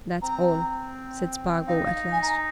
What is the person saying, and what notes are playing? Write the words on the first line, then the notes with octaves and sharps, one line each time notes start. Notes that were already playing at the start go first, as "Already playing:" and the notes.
"That's all," said Spargo at last.
C4 A#5
D#4 F5
F5
G#5
A#5